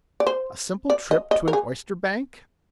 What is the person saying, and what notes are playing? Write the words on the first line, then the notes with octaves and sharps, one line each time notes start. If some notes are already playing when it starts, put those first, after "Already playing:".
"A simple trip to an oysterbank?"
D5
C5
D5
D#5
D#5
A#4
G#4